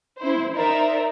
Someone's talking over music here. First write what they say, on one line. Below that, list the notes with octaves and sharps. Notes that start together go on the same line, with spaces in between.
No, yeah.
E4 C5
D#4 A#4 C5 D5 E5